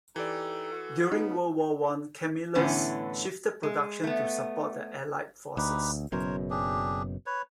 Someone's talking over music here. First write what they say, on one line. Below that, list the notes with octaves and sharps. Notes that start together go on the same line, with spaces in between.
During World War One, Camillus shifted production to support the Allied forces.
E3 D#4 G4 A4 D5
F#4
C#3 B3 D#4
A2 D3 E3 B3 C#4
G#3
A3 B3
D2 D#4 G4 B4
F#1 F#2 B2 A#4 C5 C#5
D4 G4 G#4
B4 C#5